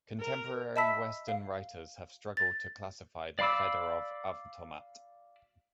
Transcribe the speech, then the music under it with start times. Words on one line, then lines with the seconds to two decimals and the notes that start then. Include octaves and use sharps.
Contemporary Western writers have struggled to classify the Fedorov Avtomat.
0.20 A#4
0.76 D#5 E5 A5 B5 E6 B6
1.28 F5
2.37 A6
3.39 D5 F5 B5 D6 E6